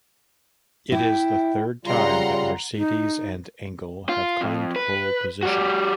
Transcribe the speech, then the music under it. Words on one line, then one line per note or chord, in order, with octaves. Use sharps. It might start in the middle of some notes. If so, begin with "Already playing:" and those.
It is the third time that Mercedes and Engel have claimed pole position.
E4 G5
C#3 G3 F4 F#5 A#5 C6
D#4
F4
F2
B4
G3 F#4